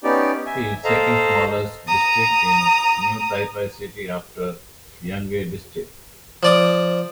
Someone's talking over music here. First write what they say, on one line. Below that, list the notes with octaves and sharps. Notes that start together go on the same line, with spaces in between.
It is the second smallest district in New Taipei City after Yonghe District.
B3 C#4 D#4 G4 D5
E5 G#5
A4 C5 D#5 F5 A#5
A#5 D#6
F3 D5 D#6